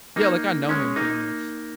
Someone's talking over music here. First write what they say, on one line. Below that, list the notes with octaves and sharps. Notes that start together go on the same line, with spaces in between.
Yeah like, I know him pretty much.
A#3 D#4
G#3 C#4
A#3 D#4